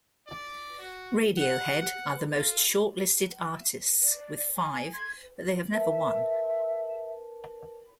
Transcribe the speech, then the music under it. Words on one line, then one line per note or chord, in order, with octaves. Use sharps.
Radiohead are the most shortlisted artists with five, but they have never won.
D5
F#4
F#5
F#5
F4
D5
G#5
C6 G#6
A#4 B4 E5 A5